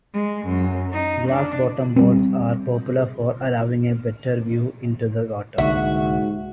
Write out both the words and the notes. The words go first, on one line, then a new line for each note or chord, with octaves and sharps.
Glass-bottom boats are popular for allowing a better view into the water.
G#3
F#2
D#4
D4
G3 B3 C4
C2 G#2 D3 A#3 F#4 E5